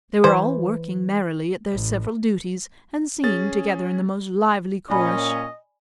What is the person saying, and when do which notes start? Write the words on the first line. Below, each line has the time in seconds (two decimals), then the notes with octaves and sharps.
They were all working merrily at their several duties, and singing together in the most lively chorus.
0.24 E3 C5
1.71 A1
3.24 C#4 G#4 A6
4.90 A#2 A#3 C#4 D5 D#5 G#5 B5